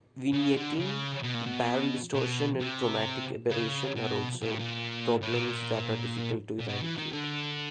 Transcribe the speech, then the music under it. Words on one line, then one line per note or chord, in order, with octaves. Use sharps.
Vignetting, barrel distortion and chromatic aberration are also problems that are difficult to eradicate.
C#3
D3
C#3
B2
A#2
B2
B2
C3
C#3
B2
A#2
A2
A#2
A2
A#2
A#2
B2
E3
D#3
D3